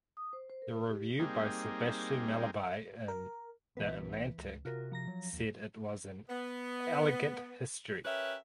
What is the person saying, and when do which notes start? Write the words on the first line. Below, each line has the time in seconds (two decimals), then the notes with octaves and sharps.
The review by Sebastian Mallaby in "The Atlantic" said it was an "elegant history".
0.17 D#6
0.33 C5
0.50 C5
0.62 A#4
0.90 G4
1.19 G3 A#3 C4 D#4 G#4
3.08 A#4
3.77 B1 A#2 E3 B3 B4
4.38 C#2
4.65 C3 F4 F#4 A#4
4.92 F3 A#5 A#6
5.07 F#3
5.33 A1 D#2
6.30 B3
8.05 C#4 G4 A#4 B4 C#5 E5